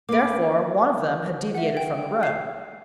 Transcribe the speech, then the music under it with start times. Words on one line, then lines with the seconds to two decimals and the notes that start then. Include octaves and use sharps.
Therefore, one of them had deviated from the road.
0.09 A#3 B4 D6 D7
1.55 E5 F#5
1.77 G5
2.23 C7